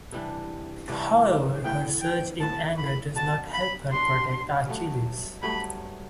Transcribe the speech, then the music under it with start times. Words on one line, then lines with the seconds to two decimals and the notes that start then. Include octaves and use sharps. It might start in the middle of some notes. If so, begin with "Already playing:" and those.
However, her surge in anger does not help her protect Achilles.
0.12 C3 E3 G3 D4
0.89 C3 E3 G3 D4
1.64 A2 E3 B3 G5
2.02 G5
2.40 A2 E3 B3 A5
2.78 B5
3.15 F#3 B3 D4 A5
3.53 B5
3.91 F#3 B3 D4 C6
4.67 G2 F#3 A3
5.42 G2 F#3 A3 B5